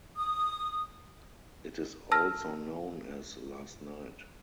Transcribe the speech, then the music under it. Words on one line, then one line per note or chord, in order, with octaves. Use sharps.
It is also known as "Last Night".
D#6
A5 E6 F6 A#6